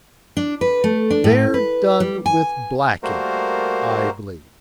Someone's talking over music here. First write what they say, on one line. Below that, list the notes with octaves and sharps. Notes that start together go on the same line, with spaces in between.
'They're done with blacking, I believe.'
D4
B4
A3
D4
A2
B4
G3
G#5
G3 A3 A#3 F#4 A#4 C5